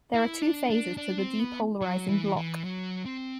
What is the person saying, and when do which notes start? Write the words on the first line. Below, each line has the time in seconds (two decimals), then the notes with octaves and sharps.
There are two phases to the depolarizing block.
0.14 E4
0.42 D4
0.70 D4
0.97 D4
1.18 C4
1.39 B3
1.82 F#3
2.08 E3
2.36 E3
2.64 F#3
3.05 C4